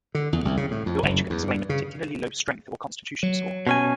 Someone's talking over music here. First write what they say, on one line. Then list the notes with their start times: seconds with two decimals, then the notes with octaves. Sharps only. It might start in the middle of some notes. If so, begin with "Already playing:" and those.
Your age could explain a particularly low Strength or Constitution score.
0.15 D3
0.33 E2
0.45 C2
0.57 C#3
0.71 A2
0.86 F2
1.03 F#1
1.30 E2
1.43 G2
1.69 C#3
3.23 F#3
3.67 B2 C#4 G#5